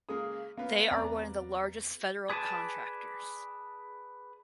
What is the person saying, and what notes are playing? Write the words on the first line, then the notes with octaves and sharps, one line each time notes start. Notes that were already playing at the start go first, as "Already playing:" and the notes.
They are one of the largest federal contractors.
C#3 G#3 A#3 D#6
A#3 B3 C#4 F5
E2 C4 C#4 D5 A#5
G#4 B4 D5 G#5 A5